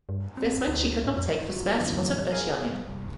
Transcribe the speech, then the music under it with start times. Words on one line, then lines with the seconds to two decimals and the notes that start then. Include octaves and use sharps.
This meant she could not take the spare slot of Oceania.
0.09 G2
0.37 C4
0.67 D2
1.05 A2
1.16 F2
1.49 F4 F#4
1.77 F#2 B2 D3 E3 F3 A#3
2.17 A1 G3
2.32 G#4 A#4 D#5 F5 G#5
2.88 C2